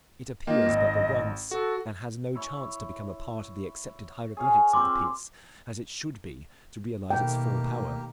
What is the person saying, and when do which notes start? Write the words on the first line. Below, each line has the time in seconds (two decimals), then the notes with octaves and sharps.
It appears but the once, and has no chance to become a part of the accepted hieroglyphics of the piece, as it should be, to realize its full power.
0.47 A#3 F4 D#5 G5
0.66 G#1
1.51 F#4 A4
2.35 E4 C#5
4.37 G#4 C#5 F5
4.73 C4 F4 C6 D6
7.10 B2 D#3 A3 A#3 G4 G5